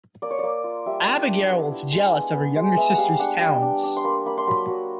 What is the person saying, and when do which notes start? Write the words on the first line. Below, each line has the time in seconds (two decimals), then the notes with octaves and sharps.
Abigail was jealous of her younger sister's talents.
0.22 A#3 D5
0.31 C#5
0.39 A#3 D5
0.64 F4
0.86 G3 E5
1.07 D4
1.29 D4
1.50 B3
1.71 E4
1.92 G#3
2.13 B3
2.34 B3
2.56 G#3
2.77 B3 E5
2.90 F#5
2.98 G3 F5
3.19 D4 F#5
3.40 G3 G5
3.62 D4
3.83 D4
3.96 C6
4.04 A#3 B5
4.26 A#3 B5
4.38 C6
4.47 F#3 B5
4.68 F#3